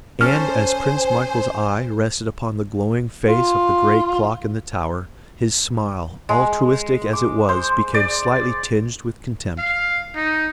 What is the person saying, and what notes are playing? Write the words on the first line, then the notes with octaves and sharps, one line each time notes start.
And as Prince Michael's eye rested upon the glowing face of the great clock in the tower, his smile, altruistic as it was, became slightly tinged with contempt.
C#4 A4 C5 G#5 F6
F4
G#3
D6
C5
D5
F5
D#4